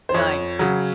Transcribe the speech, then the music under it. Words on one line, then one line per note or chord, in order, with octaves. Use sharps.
and like
C5
F2 C#5
C#3 F#3